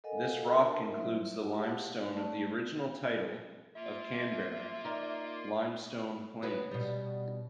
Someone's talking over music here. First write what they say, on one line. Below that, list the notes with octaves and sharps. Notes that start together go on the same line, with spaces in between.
This rock includes the limestone of the original title of Canberra "Limestone Plains".
A4 A#4 D#5 F5 F#5 G#5
D4 A#4 A5 A#5
F#3 A#3 D#4 E4 C5 E5
E4
E4 G4 G#4 F5 F#5 A5
A3 D5 A5 C#6
A#3 F4 E5
D#4 A#4 D5
B3 C#4 F#4
B2 G3